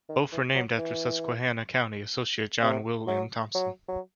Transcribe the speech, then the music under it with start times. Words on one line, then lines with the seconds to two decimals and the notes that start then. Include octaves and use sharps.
Both were named after Susquehanna County associate judge William Thompson.
0.09 D#3
0.32 E3
0.55 F#3
0.78 E3
2.62 C3
3.07 F#3
3.55 F#3
3.88 F#3